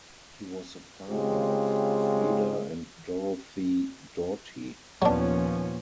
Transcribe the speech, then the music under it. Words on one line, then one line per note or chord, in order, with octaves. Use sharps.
He was the father of Freda and Dorothy Doughty.
C#3 G#3 C4 F4 G4
D#2 A#2 F3 F#3 B3 C#4 D4